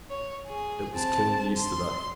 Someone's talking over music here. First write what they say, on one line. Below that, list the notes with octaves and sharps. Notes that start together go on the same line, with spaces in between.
It was killed yesterday.
C#5
G#4
C4 A5
C6